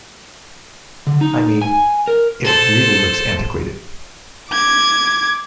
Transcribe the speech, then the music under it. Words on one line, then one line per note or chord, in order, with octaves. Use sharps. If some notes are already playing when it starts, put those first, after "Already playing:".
I mean, it really looks antiquated.
D3
D#4
G#5
A#4
A4 C5
D6 G#6